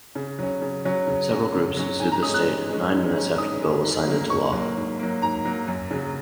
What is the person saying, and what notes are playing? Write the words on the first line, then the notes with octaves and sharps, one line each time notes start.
Several groups sued the state nine minutes after the bill was signed into law.
C#3
F#3 C#4
C#3
F#3 C#4
C#3
F#3 C#4
C#3
F#3 C#4
G#2 G#5
A#5
G#3 C#4 D#6
F#6
G#2
G#3 C#4
G#2
G#3 C#4
G#2 D#6
G#3 C#4
G#2
F#3 A#3
G#2 C#6
F#3 A#3
G#2
F#3 A#3
G#2 A#5
F#3 A#3
F#2
C#3 F#3